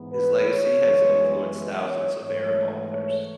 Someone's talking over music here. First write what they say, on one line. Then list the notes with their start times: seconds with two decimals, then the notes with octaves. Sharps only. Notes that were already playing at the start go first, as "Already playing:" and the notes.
His legacy has influenced thousands of Arab authors.
Already playing: G#2 E3 B3
0.11 B4
0.46 C#5
0.81 F#2 E3 G#3 B3
1.87 C#5
2.21 G#2 E3 A3 C#5
2.92 C#5